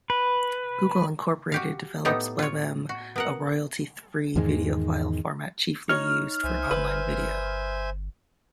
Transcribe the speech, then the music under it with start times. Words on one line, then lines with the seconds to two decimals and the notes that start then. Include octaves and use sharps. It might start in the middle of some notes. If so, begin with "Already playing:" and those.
Google Incorporated develops WebM, a royalty-free video file format chiefly used for online video.
0.10 B4
1.52 F#4 G4 F5
2.05 A2 B3 D#4 G4 A4 A#5
2.39 F4 C#5
2.89 F#4
3.16 B3 A#4 F#5
4.36 E2 G#2 D#3 G#3
5.89 D#4 C#5 F6
6.44 C2 C5 E5 G#5
6.71 G1 B4